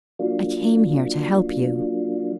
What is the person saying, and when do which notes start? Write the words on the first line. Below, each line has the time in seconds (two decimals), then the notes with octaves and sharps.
I came here to help you.
0.19 F#3 A#3 D4 F4